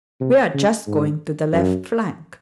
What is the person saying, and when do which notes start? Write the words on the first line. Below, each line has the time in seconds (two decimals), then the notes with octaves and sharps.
We are just going to the left flank.
0.20 C3
0.54 C#3
0.87 G#2
1.53 F#2